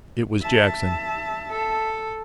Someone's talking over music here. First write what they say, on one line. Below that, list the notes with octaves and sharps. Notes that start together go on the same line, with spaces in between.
It was Jackson.
E5 A5
A4